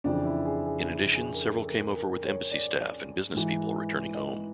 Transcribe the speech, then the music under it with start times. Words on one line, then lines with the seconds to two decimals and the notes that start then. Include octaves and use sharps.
In addition, several came over with embassy staff and business people returning home.
0.04 F2 C#3 E3 D4
0.25 E4
0.45 G#4
0.66 G#4
1.14 G#4
1.34 A#4
1.42 A4
1.68 A#4
1.97 A#4
2.24 C#5
2.52 D5
3.34 G#2 E3
4.15 D#5